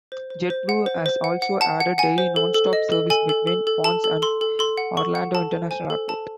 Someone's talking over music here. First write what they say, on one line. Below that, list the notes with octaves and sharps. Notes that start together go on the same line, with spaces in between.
JetBlue has also added daily, non-stop service between Ponce and Orlando International Airport.
C5
C5
C5
F#5
C5
C5
F#5
F#5
F#5 A5
F#5
F#5 G#5
C5
A4
A4
D#5
A4
A4 G#5
A4
A4
A4
A4 A5
A4
A4 C6
A4
A4 C6
F#5
A4 C#6
F#5
A4 A5
C5
C5 G#5
A4
A4 A5